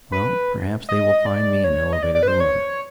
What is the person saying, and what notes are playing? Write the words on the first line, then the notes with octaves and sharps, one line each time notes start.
Well, perhaps, they will find me an elevator to run....
B4
D#5
D5
C#5
D#5
D5
D5
B4
C5
C#5